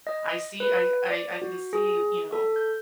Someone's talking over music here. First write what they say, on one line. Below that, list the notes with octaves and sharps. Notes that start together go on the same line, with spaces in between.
I see I I I can see, you know,
D#5
B4
D5
F#4
G#4
A4
G6